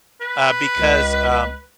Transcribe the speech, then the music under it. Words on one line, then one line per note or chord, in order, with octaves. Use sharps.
uh, because, um
B4
C#2